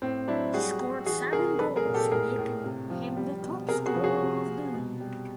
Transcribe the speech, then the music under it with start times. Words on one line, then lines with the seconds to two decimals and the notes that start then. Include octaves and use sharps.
He scored seven goals, making him the top-scorer of the league.
0.02 A2 C4
0.28 F#3 D4 E4
0.54 G3 F#4 G#4
0.80 G3
1.06 E3 F#4 G#4
1.33 C3 G#4 A#4
1.59 F#3 A4 B4
1.76 G#4 A#4
1.85 A#2
1.94 G4 A4
2.11 A2 G#4 A#4
2.38 A2
2.64 C3
2.90 F3
3.17 G3
3.43 B2
3.68 C3 G#4 A#4
3.86 F#4 G#4
3.95 F3
4.04 F#4 G#4
4.21 C3
4.47 C3
4.74 B2
5.00 G3